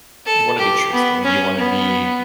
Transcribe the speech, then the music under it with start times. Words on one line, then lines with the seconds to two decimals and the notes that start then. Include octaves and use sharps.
you want to be truthful. You wanna be
0.26 A4
0.58 G4
0.92 B3
1.24 C#4
1.58 B3